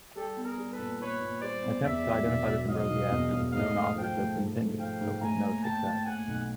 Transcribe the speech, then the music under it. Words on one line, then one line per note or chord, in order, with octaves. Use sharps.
Attempts to identify this Ambrosiaster with known authors has continued, but with no success.
G3 G4 A4
B3
G#4 A#4
G3
A4 B4
A#2
A#2 B4 C#5
A#2
G3 C5 D5
B3
E2 D5 E5
F#3
E1
F#3
F#3 D#5 F5
E1
E2
E2
G#2 D#5 F5
A3
F3 F5 G5
A3
G#2
A3
F3 F5 G5
G#2
A2 G#5 A#5
A#3
A#3 G5 A5
A2
A#3 F#5 G#5
B1